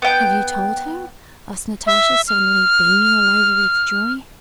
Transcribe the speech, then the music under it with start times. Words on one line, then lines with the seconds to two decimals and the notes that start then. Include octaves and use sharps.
"Have you told her?" asked Natasha, suddenly beaming all over with joy.
0.02 B3 G5
1.87 E5
2.28 F6